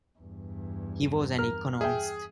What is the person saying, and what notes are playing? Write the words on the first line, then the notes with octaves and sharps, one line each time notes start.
He was an economist.
E2 G2
A#4 F6
G#4 E5 G5